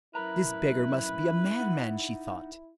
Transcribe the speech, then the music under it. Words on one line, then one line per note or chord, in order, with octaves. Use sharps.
This beggar must be a madman, she thought.
F#2 E4 A#4 B4 A#5
D#4 F#5